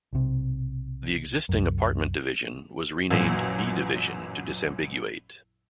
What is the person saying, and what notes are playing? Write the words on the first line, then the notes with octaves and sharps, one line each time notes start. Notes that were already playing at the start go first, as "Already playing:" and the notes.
The existing Apartment Division was renamed B-Division to disambiguate.
B1 C3
C2 F#2
A1 F#2 A#2 F#3